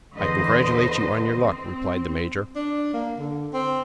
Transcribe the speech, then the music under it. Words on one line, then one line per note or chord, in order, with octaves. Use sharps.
"I congratulate you on your luck," replied the major.
E2 D3 B4 C5 D#5
C4
D4
A#3
D3
C4